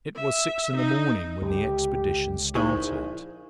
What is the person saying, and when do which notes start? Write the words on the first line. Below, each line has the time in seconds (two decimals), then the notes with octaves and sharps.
It was six in the morning when the expedition started.
0.16 E5
0.76 D#4
1.41 C#2 D3 G4
2.55 A#1 D#4 E4 G#4 C5 C#6